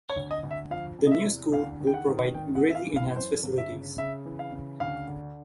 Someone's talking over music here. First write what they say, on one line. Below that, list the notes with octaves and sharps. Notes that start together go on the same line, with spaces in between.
The new school will provide greatly enhanced facilities.
C#5
D2
D#5
D2
E5
F3 F5
C3
D#5
E5
E2
D2 F5
D#3
G5
F#5
D#3
G#1 G5
F#5
E3
E5
F5
E3
F5
F#2 C5
G1
E5
C#3
C#3 E5
E3
F5
C#3
D2 F5
D3